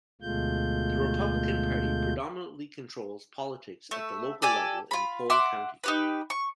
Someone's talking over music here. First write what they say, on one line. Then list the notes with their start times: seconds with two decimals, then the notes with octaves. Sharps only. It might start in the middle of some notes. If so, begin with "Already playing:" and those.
The Republican Party predominantly controls politics at the local level in Cole County.
0.22 D2 B2 G#3 A3 F4 G6
3.91 A3 E5
4.42 G4 A4 D5 G#5
4.91 F4 B5
5.30 E5 F#5 C6 D6
5.84 D#4 G4 B4
6.30 C#6